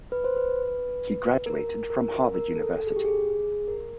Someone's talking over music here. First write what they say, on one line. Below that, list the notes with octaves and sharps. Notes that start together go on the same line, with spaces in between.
He graduated from Harvard University.
B4
C5
B4
A#4
A#4
A#4
A4
A4
G#4
G4
G#4
A#4